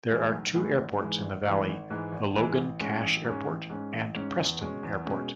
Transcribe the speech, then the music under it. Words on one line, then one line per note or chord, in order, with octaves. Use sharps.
There are two airports in the valley, the Logan-Cache Airport and Preston Airport.
A2 E3 G#3
B1
A2 E3 G#3
G#1
G#2 E3 G#3
G#1
G#2 E3 G#3
G#1
G#2 E3 G#3
G#1
G#2 E3 G#3
A1
G#2 G#3 C#4
A1
G#2 G#3 C#4
A1
G#2 G#3 C#4
A1
G#2 G#3 C#4
E2
B2 G#3 C#4
E2
B2 G#3 C#4